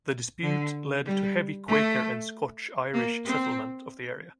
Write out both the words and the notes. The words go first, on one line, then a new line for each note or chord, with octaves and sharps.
The dispute led to heavy Quaker and Scotch-Irish settlement of the area.
D3
G3
A3
A#3
C4